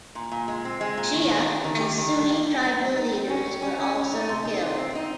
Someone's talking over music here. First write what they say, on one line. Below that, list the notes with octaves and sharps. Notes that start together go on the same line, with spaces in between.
Shia and Sunni tribal leaders were also killed.
A#2
A#2
G#3
C4
G#3
A#2
D#3
D#4
G4
D#3
G4
D#3
G3
A#3
G3
D#4
G3
D#4
G3
C#4
G3
C#4
C#4
C#4
D#4
C3
D#4
C3
C4
D#4